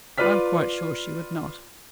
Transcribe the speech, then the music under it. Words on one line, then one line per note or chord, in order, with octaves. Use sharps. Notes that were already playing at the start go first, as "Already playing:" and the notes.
I am quite sure she would not.
F4 B4 D5 F6 B6